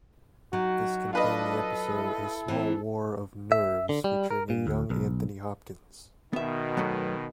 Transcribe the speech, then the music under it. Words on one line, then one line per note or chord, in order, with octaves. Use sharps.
This contained the episode A Small War of Nerves featuring a young Anthony Hopkins.
F#3 D#4 F#4
D4 F4 A4 B4 D#5
E4
E3 A#3 C4
E5
D3
G3
A#4
A#2
D2
B1
B2 D#3 B3 E5
F#3 A3 B3